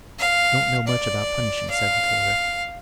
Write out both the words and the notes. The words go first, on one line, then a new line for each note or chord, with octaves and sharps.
"I don't know much about punishing," said the tailor.
F5
D5
F5